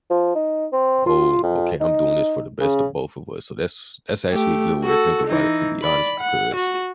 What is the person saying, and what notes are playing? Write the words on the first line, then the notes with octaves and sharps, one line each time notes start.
"Oh, okay, I'm doing this for the best of both of us," so that's that's actually a good way to think about it to be honest, because
F3
D#4
C4
F4
F2
D#4
C#3
A3 G4
F#4 A4
E3 D#4
D5 B5
F#5
F#4